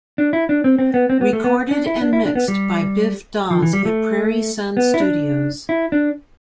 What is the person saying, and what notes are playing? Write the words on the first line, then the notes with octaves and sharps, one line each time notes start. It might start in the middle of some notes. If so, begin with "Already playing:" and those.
Recorded and mixed by Biff Dawes at Prairie Sun Studios.
D4
E4
D4
C4
C4
B3
C4
B3
A3
B3
D4
E4
D4
E4
D4
B3
G3
F3
E3
G3
A3
B3
E4
D4
E4
D4